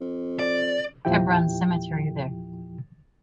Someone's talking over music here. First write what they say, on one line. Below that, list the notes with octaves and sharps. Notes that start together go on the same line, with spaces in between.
Hebron Cemetery there.
F2
D5
E2 A#2 F3 E4 G4 G5